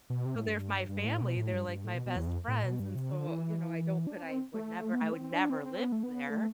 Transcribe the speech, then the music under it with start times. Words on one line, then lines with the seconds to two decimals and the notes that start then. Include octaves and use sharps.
So they're f my family, they're, like, my best friends, and so, you know, I don't but, I would never I would never live there.
0.10 B2
0.25 C3
0.35 A2
0.47 G2
0.89 G2
1.05 A2
1.21 B2
1.37 A2
1.53 G2
1.68 G2
1.84 A2
1.95 B2
2.06 B2
2.16 E2
2.27 F2
2.48 A2
2.64 B2
2.80 G2
2.96 C3
3.11 D3
3.27 E3
4.07 D4
4.22 C4
4.54 A3
4.93 B3
5.02 A3
5.13 C4
5.24 C4
5.34 D4
5.50 C4
5.65 C4
5.81 B3
5.92 A3
6.03 B3
6.30 A3